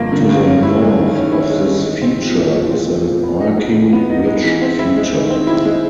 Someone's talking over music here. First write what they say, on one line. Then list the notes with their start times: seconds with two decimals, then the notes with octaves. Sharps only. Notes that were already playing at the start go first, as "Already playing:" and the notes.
To the north of this feature is an arcing ridge feature.
Already playing: G2 D3 F3 A#3
0.12 D3
0.29 G2
0.47 C#4
0.63 E4
0.80 G#3
0.99 D#3
1.15 C#4
1.32 E4
1.49 G#3
1.67 D#3
1.85 G#3
2.02 C4
2.19 F3
2.37 A#2
2.53 G#3
2.71 C4
2.88 F3
3.06 A#2
3.23 B3
3.40 D#4
3.58 G#3
3.74 E3
3.93 B3
4.10 D#4
4.27 G#3
4.44 E3
4.62 C4
4.79 E4
4.96 G#3
5.13 D#3
5.30 C4
5.47 E4
5.65 G#3